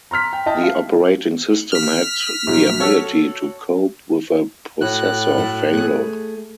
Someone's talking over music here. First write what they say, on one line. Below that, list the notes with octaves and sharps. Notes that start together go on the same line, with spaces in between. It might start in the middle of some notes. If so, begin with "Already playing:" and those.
The operating system had the ability to cope with a processor failure.
A#5 C6 F6 B6
G5
E4 D#5 G5 A5
F5
F6 B6
A#1 F#3
F#4 A4 C#5
A2 F#4 F#6
E4 F#4 A4
A3 G#4